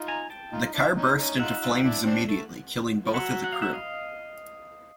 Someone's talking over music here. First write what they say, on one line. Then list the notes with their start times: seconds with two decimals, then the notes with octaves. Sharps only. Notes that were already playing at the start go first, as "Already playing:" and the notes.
The car burst into flames immediately, killing both of the crew.
Already playing: D#4 F4
0.08 G#5 A#5
0.30 G5 A5
0.52 D#4 F4
0.66 D#4
0.74 D4 E4
0.95 C#4 D#4
1.18 C#4 D#4
1.39 D#4 F4 E5 F#5
1.62 D#4 F4
1.84 D4 E4
2.05 C4 D4
2.27 A3
3.05 F3
3.14 F#3 E5 F#5
3.44 F#5
3.53 F5
3.62 E5 F#5
3.74 D#5 F5